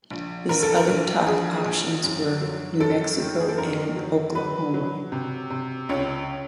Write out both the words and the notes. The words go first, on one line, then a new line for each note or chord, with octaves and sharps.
His other top options were New Mexico and Oklahoma.
A#1
A#1 A#4
A4
A#4
A#1
F3 G#4
A#1
F#2
F#3
F#2 A4
D#3
G#4
A4
F#2 A#4
F#3
F#3 B4
F#3
C3
C3
C#2 C#5